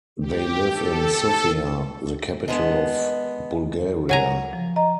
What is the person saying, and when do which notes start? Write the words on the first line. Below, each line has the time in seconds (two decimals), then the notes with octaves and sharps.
They live in Sofia, the capital of Bulgaria.
0.21 G4
0.70 A4
2.48 G#3 B3 D4 D#5
4.09 F#3 G#5 A#5
4.53 F3
4.76 D#5 A#5